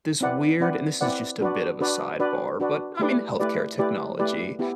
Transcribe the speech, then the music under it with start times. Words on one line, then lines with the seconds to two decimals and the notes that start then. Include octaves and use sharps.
this weird and this is just a bit of a sidebar, but, I mean, health care technology,
0.21 C4 E4 B4 D5 F#5
0.60 C4 E4 B4 D5 F#5
1.01 C4 E4 B4 D5 F#5
1.41 D4 F#4 B4 D5
1.81 D4 F#4 B4 D5
2.19 D4 F#4 B4 D5
2.60 D4 F#4 B4 D5
2.99 A3 E4 G4 B4 D5
3.40 A3 E4 G4 B4 D5
3.79 A3 E4 G4 B4 D5
4.19 A3 E4 G4 B4 D5
4.59 B3 E4 G4